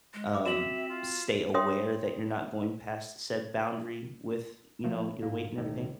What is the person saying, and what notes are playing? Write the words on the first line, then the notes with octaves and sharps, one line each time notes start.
um, stay aware that you're not going past said boundary with, you know, your weight and everything?
G#3
F5 D6 D#6
C4 F#4 E5 E7 F#7
F4
A#4 C#5 E5 G5 C6 D#6
F3 A3 A#3
G#2 A#3
D#1 A1 A2 D#3